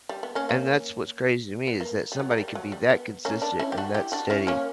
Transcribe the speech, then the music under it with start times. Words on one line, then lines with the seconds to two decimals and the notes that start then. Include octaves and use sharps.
and that's what's crazy to me is that somebody could be that consistent and that steady
0.09 G3
0.23 B3
0.35 A#3 C#4
0.49 A#3 C#4
1.67 B3
1.81 A#3
2.12 G3
2.20 F#3
2.31 A#3
2.38 G3
2.48 G3
2.55 F#3
2.72 G3
2.90 B3
3.25 A#3 C#4
3.42 B3 D4
3.59 C#4 E4
3.72 G4
3.78 D4 F#4
3.94 E4 G4
4.12 D4 F#4
4.30 C#4 E4
4.47 A#3 C#4